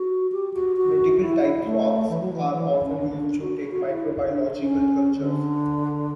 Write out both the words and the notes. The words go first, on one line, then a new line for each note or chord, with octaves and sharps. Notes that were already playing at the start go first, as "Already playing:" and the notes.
Medical-type swabs are often used to take microbiological cultures.
Already playing: F#4
G4
F#4
F#4
E4
A3
E3
F#3
E3
E3
C#4
D4
F#4
F#4
E4
D4
C#4
D3